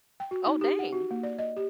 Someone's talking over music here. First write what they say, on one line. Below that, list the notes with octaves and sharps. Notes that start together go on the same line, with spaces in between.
Oh, dang!
G5
F#4
D#4
G4
F#5
F#4
A#3
D5
D#5
G4